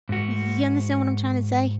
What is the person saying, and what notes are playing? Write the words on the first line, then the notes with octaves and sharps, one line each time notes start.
Y you understand what I'm trying to say?
G#2 F#4